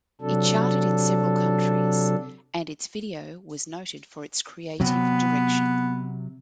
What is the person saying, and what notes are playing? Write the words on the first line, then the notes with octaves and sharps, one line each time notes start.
It charted in several countries and its video was noted for its creative direction.
C3 F#3 D4 A4
C3 F#3 B3